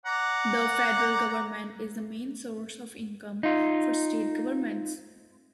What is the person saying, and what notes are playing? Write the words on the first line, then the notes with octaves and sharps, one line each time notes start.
The federal government is the main source of income for state governments.
D5 F#5 A#5
D#4 F4